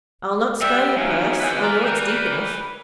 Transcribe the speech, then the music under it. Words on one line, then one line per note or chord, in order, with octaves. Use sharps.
I'll not spare your purse,--I know it's deep enough.
G2 G3 E5
F#3 C#4 D#4 F4
E2 B2 E3 B4 G#5
A#4 D5
G3 A#4